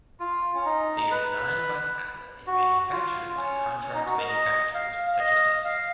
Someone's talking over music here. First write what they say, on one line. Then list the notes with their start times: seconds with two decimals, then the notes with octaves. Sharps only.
They are designed by Apple and manufactured by contract manufacturers such as Samsung.
0.20 F4
0.54 C#4
0.65 D#4
1.11 B4
2.47 F#4
2.92 F4
3.37 C#4
3.82 C#4
3.94 D#4
4.06 F#4
4.17 A#4
4.28 D#5
4.74 F5
5.14 F5
5.20 D#5
5.65 F5